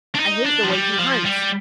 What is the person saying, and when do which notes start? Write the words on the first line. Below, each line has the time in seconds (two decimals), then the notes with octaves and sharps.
I hate the way he hunts!
0.15 D4
0.19 D#4
0.45 D4
0.64 F3
0.73 G3
0.99 F3
1.25 G3